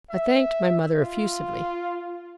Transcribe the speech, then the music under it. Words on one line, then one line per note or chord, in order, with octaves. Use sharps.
I thanked my mother effusively.
E5
F4